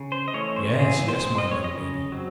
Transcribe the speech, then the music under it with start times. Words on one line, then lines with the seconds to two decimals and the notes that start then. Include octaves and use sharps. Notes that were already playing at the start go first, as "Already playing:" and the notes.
Yes--yes, my young lady!
Already playing: C#3
0.12 C5
0.28 D#5
0.34 E3 A3 C#4 C#5
0.56 C5
0.78 E3 G#4
1.08 C5
1.23 G#3 C4
1.38 D#5
1.51 C#5
1.64 C#3 D#5
2.12 F#3 C4